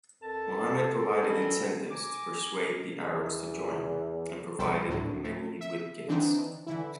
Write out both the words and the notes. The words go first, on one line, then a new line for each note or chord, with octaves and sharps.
Muhammad provided incentives to persuade the Arabs to join, and provided many with gifts.
F2 A4 A#4 A5
E3 G3 C4
G#5 A#5 D6
E2
B1 G3 B3 A4 B4 C5
D2 A2 D3 F#3
A3
E5
D3 E3 C4 D4 D#4
D3 E3 E4